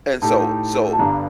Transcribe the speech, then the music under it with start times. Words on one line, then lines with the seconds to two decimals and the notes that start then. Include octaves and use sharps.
and so so
0.22 A2 A3 D#4 G4 A5
0.93 A5
0.99 G1 G2 D3 G3 D4 A#5